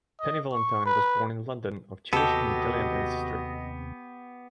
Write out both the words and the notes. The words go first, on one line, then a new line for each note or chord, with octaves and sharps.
Penny Valentine was born in London, of Jewish and Italian ancestry.
D#5
C#6
B4
D#2 C3 B3 F#4 G4 A4 D#5